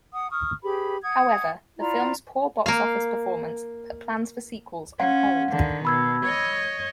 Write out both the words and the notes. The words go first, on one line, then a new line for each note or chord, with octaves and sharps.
However, the film's poor box office performance put plans for sequels on hold.
F#5 D#6
C#6 D#6 F6
G4 G#4 B4 B5
F#5 D#6 G#6
E4 F4 D5 A#5
A#3 F5
C#4 F5 F#5 C6
D3 D#3
B2 B5 E6 G#6
C#5 D#5